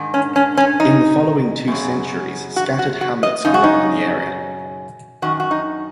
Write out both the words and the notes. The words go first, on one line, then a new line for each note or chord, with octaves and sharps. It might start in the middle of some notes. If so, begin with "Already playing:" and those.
In the following two centuries, scattered hamlets grew up in the area.
Already playing: G#2 D#3
C#4
C#4
C#4
D#4
F#2 C#3
F#4
F#4
F#4
D#5
F#2 C#3 D#4
F#4
D#4
F#2 D#3 F#4
F#4
D#4